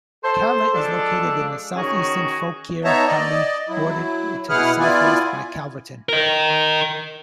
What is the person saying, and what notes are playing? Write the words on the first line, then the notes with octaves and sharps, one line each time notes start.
Catlett is located in southeastern Fauquier County, bordered to the southwest by Calverton.
A4 C5
F3 G#3 D4 A4
D#3 C#4 F#4 G#4 C#5
B3 D#4 C#5 E5 A5 A#5
D5 D#5
F#3 E4
B2 E4 G#4 B4 F#5 F6
B3 E4 F4 D5 G#5
A#4 D#5